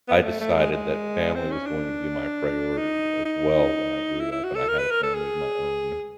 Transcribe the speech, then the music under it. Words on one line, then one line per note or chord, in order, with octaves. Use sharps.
I decided that family was going to be my priority as well when I grew up and I had a family of my own.
B3
A3
A3
G#3
G#3
C4
C#4
D4
D#4
D#4
E4
E4
F#4
A4
A#4
B4
A#4
A4
G#4